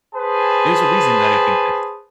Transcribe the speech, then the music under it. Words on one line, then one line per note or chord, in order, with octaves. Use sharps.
There's a reason that I think this.
G#4 B4 C5 G#5 A5